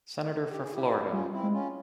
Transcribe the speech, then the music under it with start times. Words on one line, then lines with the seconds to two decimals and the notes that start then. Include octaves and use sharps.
Senator for Florida.
0.51 G4
0.62 G#4
0.73 E4 G4
1.12 G3 C#4 F4
1.32 C4 E4
1.43 G#3
1.53 C#4 F4